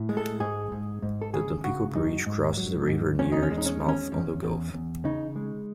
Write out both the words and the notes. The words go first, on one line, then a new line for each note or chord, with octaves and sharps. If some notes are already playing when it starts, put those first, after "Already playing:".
The Tampico Bridge crosses the river near its mouth on the Gulf.
Already playing: A2
G#3
A4
G#2 G#4
G#2
G#2
A4
C#3 G#4
C#3 F#4
F#2 D#4
G#2
F#3
G#2
E2 C#4
D#4
C#4
G#3
D#4
C#4
E2
C#4
E2
E2
E2
C#3 D#4
G#3